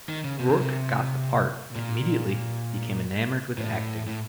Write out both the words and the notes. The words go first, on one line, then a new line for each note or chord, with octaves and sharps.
Rourke got the part and immediately became enamored with acting.
D#3
C#3
C3
C#3
C3
A#2
A2
A2